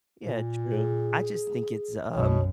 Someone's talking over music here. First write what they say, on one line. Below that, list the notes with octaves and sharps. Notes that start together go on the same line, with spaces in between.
Yeah, true. I just think it's, um,
A#2
G#4
B1 F#2 B2 C#5